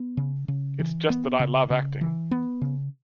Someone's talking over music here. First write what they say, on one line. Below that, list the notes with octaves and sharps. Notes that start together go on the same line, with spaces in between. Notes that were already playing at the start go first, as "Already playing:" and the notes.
It's just that I love acting.
Already playing: B3
C#3
C#3
E3
B3
C#3
C#3
E3
B3
C#3